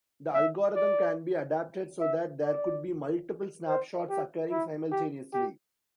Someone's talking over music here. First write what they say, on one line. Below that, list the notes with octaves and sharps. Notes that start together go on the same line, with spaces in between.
The algorithm can be adapted so that there could be multiple snapshots occurring simultaneously.
E5
D5
E5
D5
C5
G4
E4
G4
G4